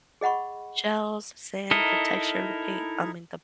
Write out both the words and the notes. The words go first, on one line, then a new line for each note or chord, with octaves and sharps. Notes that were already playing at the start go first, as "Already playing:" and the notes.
shells, sand for texture of the paint I mean, the
G#4 D#5 F#5 B5 C#6
D#4 E4 A4 A#4 D#5